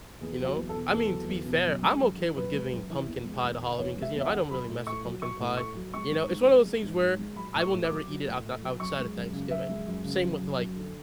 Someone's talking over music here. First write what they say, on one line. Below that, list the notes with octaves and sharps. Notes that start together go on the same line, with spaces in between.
You know? I mean, to be fair, I'm okay with giving pumpkin pie to Halloween 'cause, you know, I don't really mess with pumpkin pie, you know? It's one of those things where I will never eat it out the outside of Thanksgiving. Same with, like,
E2 G#4
F#3
F#4
E2
A4
B2
E2 A4
F#3
E2
B2
F#2
G#3
F#2
E3
F#2 B4
G#3
F#2
E3
E2
G#3
E2
D3
E2 C#5
G#3
E5
E2
E5
F#5
D3
F#3 B5
A2
A2 C#6
F#3
F#3 C#6
A2
A2 C#6
F#3
G#3 C#6
G#2
G#2
G#3
G#3
G#2
G#2
G#3
F#3 B5
A2
C#6
A2
D6
F#3
F#3
A2
A2
F#3
F#2 C#6
G#3
F#2
C#3
F#2 E5
G#3
F#2
C#3
F#2
F#3
F#2
D3